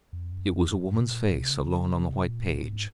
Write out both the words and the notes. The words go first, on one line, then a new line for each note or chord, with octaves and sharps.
It was a woman's face, alone on the white page.
F2
F#2
F2
F#2
C3
A#2
G#2
A#2
C3
C#3
C3
A#2
A#2
G#2